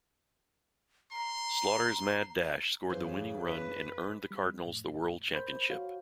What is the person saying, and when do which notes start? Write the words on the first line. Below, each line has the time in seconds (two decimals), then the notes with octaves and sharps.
"Slaughter's Mad Dash" scored the winning run and earned the Cardinals the world championship.
1.12 A#5 C6
2.90 F#2 C#3 E3 C5
3.46 B4
4.31 G3
4.65 F2 A2
5.34 A#4 C5 B5 G6
5.70 F#4 C#5 F5